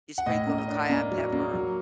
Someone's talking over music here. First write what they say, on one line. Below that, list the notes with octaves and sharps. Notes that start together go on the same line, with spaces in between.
You sprinkle the cayenne pepper
F#5
A2 D#5
A#3
D#5
D4
A#3
F#3
A#3
F#3